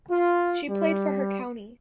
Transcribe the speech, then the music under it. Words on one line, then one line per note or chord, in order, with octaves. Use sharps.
She played for her county.
F4
G3